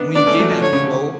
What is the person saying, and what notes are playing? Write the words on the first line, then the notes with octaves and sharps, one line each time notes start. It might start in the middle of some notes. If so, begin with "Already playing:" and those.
when you're getting that flow
Already playing: B3 D4
B3 D4 D5
A3 C#4
F#3 A3
F3
D3 C#5
C#3
D3